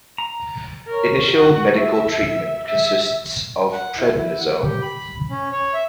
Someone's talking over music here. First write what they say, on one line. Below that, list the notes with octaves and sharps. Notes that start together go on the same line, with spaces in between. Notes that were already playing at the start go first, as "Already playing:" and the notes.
Initial medical treatment consists of prednisone.
A#5
A#4 C#5
F#4 F#5
E5
E5
F#5
E4
E4
F#5
G4
B5
C#4
C#5
E5